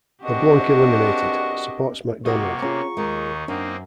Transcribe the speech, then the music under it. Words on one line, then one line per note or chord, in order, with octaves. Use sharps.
LeBlanc eliminated, supports MacDonald.
E2 A#2 C4 D4 F#4 G4 D#5
C3 A#3 F#4 D#5 C#6
C#4 F4 G#4 A#5
D#2 D#3 G#3 D#4 A#4
F#2 A#3 C4 D4 D#4